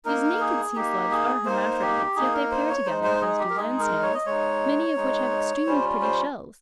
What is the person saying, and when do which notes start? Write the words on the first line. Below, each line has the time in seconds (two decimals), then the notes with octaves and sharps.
These naked sea-slugs are hermaphrodites, yet they pair together, as do land-snails, many of which have extremely pretty shells.
0.05 A#3 D#4 A#4
0.41 G#4
0.76 A#3 D#4 G4
1.11 G#4
1.46 A#3 D#4 C5
1.82 G4
2.16 A#3 D#4 G#4
2.34 A#4
2.51 C5
2.69 C#5
2.86 G#3 D#4 C5
3.04 C5
3.21 G#4
3.39 G4
3.50 A#4
3.56 G#3 D#4 G#4
3.80 A#4
4.03 C#5
4.14 D#5
4.26 G#3 D#4 C#5
4.96 G#3 D#4
5.66 G3 C#4 F4 C5
6.02 C5